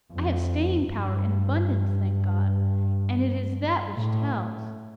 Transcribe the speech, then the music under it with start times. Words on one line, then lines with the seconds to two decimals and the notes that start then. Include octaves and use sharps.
I have staying power in abundance, thank God! and it is that which tells....
0.13 F2
0.89 G2
3.94 A2